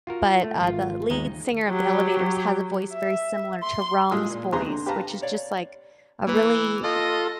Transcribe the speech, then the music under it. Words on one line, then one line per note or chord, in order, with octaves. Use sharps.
but, uh, the lead singer of The Elovators has a voice very similar to Rome's voice, which is just, like, a really
F4 F#4 A#4
A3
G#1 F4
D#2 G#3 D#4 D#5 A#5
F#3 G4
E5
C6
A2 G#3 F4 G#4 D#6 E6
A#2
D#2 C3 B3 G#4 A#5 C6
D3
G4 B4 F5 A5 A#5
C#5 D5 F5
E3 A#3 B4
F4 A4 D#5